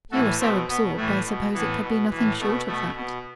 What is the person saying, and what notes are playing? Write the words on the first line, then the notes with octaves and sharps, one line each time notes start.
"You were so absorbed, I supposed it could be nothing short of that."
A2 E3 F#4 A4
B2 A3 C4
B2 B3
A2 E3 A3
B2
A2 E3 B3
B2
A2 E3
B2 A3
B2 A3
B2